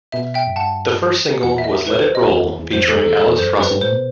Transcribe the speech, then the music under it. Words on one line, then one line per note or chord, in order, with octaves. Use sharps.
The first single was "Let It Roll", featuring Alice Russell.
B2 E5
E5 G5
F#2
G2 F#5 A5
E2 F#5
E5
D#5
B4
C5
D#5
E2
E2
E2
F#2 C5
E2
A4
F#2
A4
E2
A4
E2
F#2 C5
F#2 B4
G2
A2 C5
B2